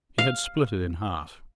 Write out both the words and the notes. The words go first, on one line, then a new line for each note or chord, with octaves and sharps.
He had split it in half.
F5